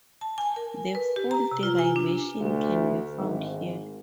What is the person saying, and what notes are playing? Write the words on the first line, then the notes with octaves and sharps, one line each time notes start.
The full derivation can be found here.
A5
G#5
A#4
B4
G4
A#5
C3
F4
G#5
D4
D2
G#1